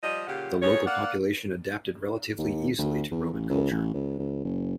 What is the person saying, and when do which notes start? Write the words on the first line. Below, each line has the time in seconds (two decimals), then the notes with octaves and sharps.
The local population adapted relatively easily to Roman culture.
0.03 F3 G3 D#5
0.27 A#2 C#3 F4 G4 F#5
0.62 F2 G#4 C#5
0.86 A#3 D5 F5 F#5
2.38 D#2
2.78 D2
3.11 E2
3.33 A1
3.50 C#2
3.71 A1
3.94 C#2
4.19 C#2
4.44 F#1